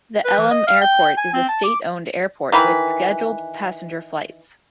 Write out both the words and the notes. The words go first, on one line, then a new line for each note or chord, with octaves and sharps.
The Elim Airport is a state-owned airport with scheduled passenger flights.
B4
E3
D#5
F5
G5
G#5
C4
A5
D6
D#3 E3 B4